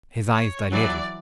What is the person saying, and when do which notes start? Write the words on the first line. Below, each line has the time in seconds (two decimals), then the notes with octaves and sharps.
His eyes dilated.
0.32 C#5
0.72 E3 F#3 D5